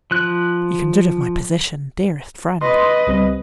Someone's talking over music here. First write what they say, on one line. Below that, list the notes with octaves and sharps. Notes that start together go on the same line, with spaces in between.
You can judge of my position, dearest friend.
F3 F#6
B4 D#5 C6
C#2 G3 C4